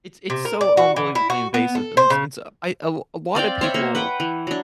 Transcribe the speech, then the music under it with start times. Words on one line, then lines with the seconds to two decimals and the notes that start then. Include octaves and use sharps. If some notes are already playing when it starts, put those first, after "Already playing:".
it's it's so unbelievably invasive, and it's it's a I uh, l a lotta people,
0.30 C3
0.45 A#4
0.61 D5
0.77 F#4
0.96 E3
1.15 E4
1.30 F#4
1.54 B3
1.75 A4
1.97 C5
2.10 C#3
3.35 C4 D5 F5 G5
3.61 C5 C#5 E5 B5
3.74 A#3
3.95 B4 F#5 G5
4.20 E3
4.47 F#3 D4